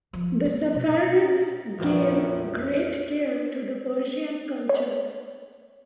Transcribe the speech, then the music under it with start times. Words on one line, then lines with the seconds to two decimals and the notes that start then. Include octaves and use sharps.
The Saffarids gave great care to the Persian culture.
0.13 F3
0.45 C4
0.75 B2
1.78 E1 A#1 F2
4.69 C#5